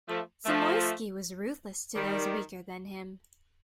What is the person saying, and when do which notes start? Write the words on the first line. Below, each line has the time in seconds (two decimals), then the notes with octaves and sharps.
Zamoyski was ruthless to those weaker than him.
0.08 F3 A3
0.46 F3 A3
1.95 D#3 G3